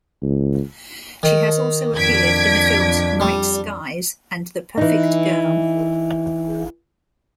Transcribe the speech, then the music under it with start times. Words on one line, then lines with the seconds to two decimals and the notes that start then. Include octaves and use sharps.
She has also appeared in the films "Night Skies", and "The Perfect Girl".
0.22 C#2
1.23 D#3
1.96 F2 D4 G#6 B6 D7
3.21 G3
4.77 E3 D#4